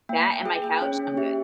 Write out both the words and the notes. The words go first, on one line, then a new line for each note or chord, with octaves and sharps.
That and my couch, I'm good.
A#3 G5
A#3
G#4 G5
A#3
C#4 C#5
C#4
G4 E5